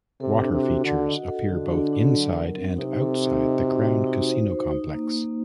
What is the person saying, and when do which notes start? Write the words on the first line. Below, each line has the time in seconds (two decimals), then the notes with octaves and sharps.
Water features appear both inside and outside the Crown casino complex.
0.20 C3 A4
0.41 D4
0.53 C3
0.63 F#4
0.85 D3 F#5
1.06 D#5
1.28 A4
1.49 D3 F#4
1.71 D4
1.93 D4
2.14 F#3
2.35 A#4
2.56 C4
2.78 C3 D#4
3.00 A4
3.21 D#4
3.43 D#5
3.64 F#4
3.86 F#4
4.07 D#4
4.29 C5
4.50 C5
4.72 D#4
4.94 A#3
5.14 A#3